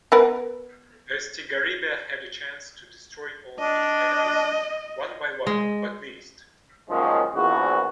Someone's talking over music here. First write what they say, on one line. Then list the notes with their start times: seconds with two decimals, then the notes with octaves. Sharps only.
Estigarribia had a chance to destroy all his enemies one by one, but missed.
0.12 B3 A#4 B4
3.59 D4 D#5
5.47 G#3
6.90 F#2 A#2 D#3 F3 G#3 C#4
7.35 A#1 E2 F#4